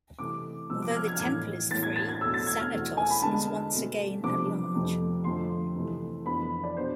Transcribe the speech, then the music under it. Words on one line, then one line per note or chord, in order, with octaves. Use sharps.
Although the Temple is free, Xanatos is once again at large.
C3 E3 A3 D6
C3 F3 B3 E6
D6
G#6
F6
G#6
F6
A2 E3 B3 G#6
A2 E3 B3 A6
G#6
A6
G#6
E2 B2 A3 E6
A6
G#6
F6
E2 B2 A3 C4
G#5
B5
D3 G#3 B3 D4 A5
B2 A3 C4
C3 F3 B3 D4 D6
F2 C3 F3 A3
F2 D3 F3 A3 C6
C3 E3 A3
F2 E3 B3 D4 B5
D5
B2 B3 D4 C5